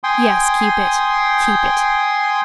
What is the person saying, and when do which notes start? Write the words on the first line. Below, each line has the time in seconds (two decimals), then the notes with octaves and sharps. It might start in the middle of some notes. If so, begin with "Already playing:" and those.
"Yes, keep it--keep it."
0.04 G5 G#5 C6 D#6